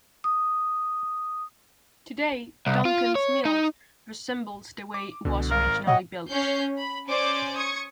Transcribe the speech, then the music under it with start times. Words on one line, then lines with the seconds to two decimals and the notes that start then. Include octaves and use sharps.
Today, Duncans Mills resembles the way it was originally built.
0.24 D#6
2.66 C2
2.85 F4
3.15 C#5
3.45 D#4
4.94 D6
5.25 C2 B2 D3
5.51 G#1 A#4 F5
5.87 A#2 C#5 D#5 F#5 G5
6.29 C#4 C#5 G6 C7
6.77 B5
7.08 C#4 C5 D5 G#5 D6
7.56 C#6 D#6 G#6